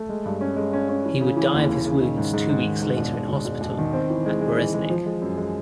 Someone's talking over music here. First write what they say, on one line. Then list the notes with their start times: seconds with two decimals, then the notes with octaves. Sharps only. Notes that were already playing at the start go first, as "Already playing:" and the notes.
He would die of his wounds two weeks later in hospital at Bereznik.
Already playing: A3
0.09 G#3
0.26 G2
0.41 C#4
0.56 G#3
0.73 C#4
0.89 C#4
1.05 E3
1.21 C#3
1.36 E3
1.54 D#2
1.69 D#2
1.86 C#3
2.02 D#3
2.17 G#2
2.33 G#2
2.49 G#2
2.65 D#3
2.82 G#2
2.97 E1
3.14 E1
3.29 E1
3.45 E1
3.61 E1
3.78 D#3
3.93 C4
4.10 E3
4.26 G#3
4.41 G#3
4.57 E3
4.74 G#3
4.90 F3
5.06 G#3
5.22 F#2
5.37 G#3